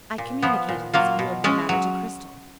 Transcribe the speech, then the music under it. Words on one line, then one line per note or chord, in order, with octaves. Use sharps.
I communicated this view of the matter to Cristel.
A#2
F3 B3
A#2
F#3 A#3 F4
B2
G#3 C#4
F#3